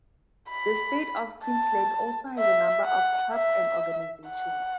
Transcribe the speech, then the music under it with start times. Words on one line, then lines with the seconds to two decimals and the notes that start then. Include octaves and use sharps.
The state of Queensland also has a number of clubs and organisations.
0.50 B5
1.44 A5
2.39 E5
2.86 F#5
3.33 E5
4.28 F#5